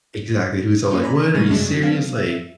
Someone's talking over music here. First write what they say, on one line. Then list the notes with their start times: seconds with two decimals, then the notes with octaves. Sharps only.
Exactly he was all, like, "What? Are you serious"? Like,
0.88 A#3 C#4 F4 B4 C5
1.03 D5 G#5 A#5 B5
1.34 G#2 G3 G#3 C#6 F6 D#7
1.50 F#2 C3 F#3 G#3 A3 D4
1.81 F#3 B3 C4 D4 F5
2.16 E5